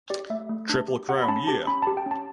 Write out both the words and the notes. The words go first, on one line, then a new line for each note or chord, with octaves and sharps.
Triple Crown year.
G4 D5
A3 E5
A3
D4
G4
G4 F#5
B5
C#4 A5
G4 A5
C#4 B5
G4 A5
G5
C#4 A5